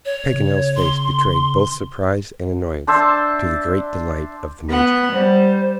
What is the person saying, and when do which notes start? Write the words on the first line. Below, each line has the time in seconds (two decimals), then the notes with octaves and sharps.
Paganel's face betrayed both surprise and annoyance, to the great delight of the Major.
0.05 C#5
0.34 C#3
0.76 C6
2.87 D4 C5 E5 A5
4.69 B3 F#5
5.13 G3 C5